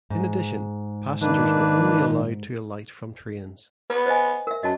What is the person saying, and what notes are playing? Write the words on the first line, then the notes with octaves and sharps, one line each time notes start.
In addition passengers were only allowed to alight from trains.
G#2
D#3 A#3 D4 B4
B3 B4
C5 D#5 G#5
A#4 E5
F#2 D#5 A5